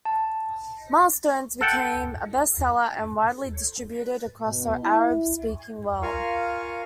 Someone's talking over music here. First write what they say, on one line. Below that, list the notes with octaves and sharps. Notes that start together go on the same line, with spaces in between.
"Milestones" became a bestseller and widely distributed across the Arab speaking world.
A5
A4 F#5 G5 A5
B2
E4
F4 A#4 F5 G#5 C#6